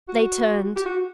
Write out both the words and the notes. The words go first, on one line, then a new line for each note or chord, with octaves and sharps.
They turned.
F#4
G4
F#4